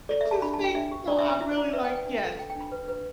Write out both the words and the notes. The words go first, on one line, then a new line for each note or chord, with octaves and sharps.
to see so I really like yes,
A4 D5
E5
A4
A5
D4 B5
A5
D4 G5
D4 E5
G4
D4 D5
E5
D4
E5
E4 E5
D5
E4
B4 E5
G5
B4
G5
D4
A4
A4 G5
G5
D4
B5
B4
B4